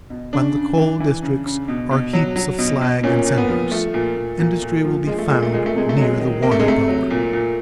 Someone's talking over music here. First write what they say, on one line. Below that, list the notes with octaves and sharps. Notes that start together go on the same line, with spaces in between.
When the coal districts are heaps of slag and cinders, industry will be found near the water-power.
B2
C#3 D4
C#3
E3
E3
C#3
C#3
B2
B2
F#3
F#3
B2
B2
A#2 C#4
A#2
B3
F3
F3 A3
A#2
A#2
A#2
A#2
F3
F3 G#3
A3
A#2 G#3
A3
A#2 G#3
A3
C3 G#3
A3
F#3 G#3
D#3
C3 A#3
A3
G#3
C3 A3
F#3
A#2
A#2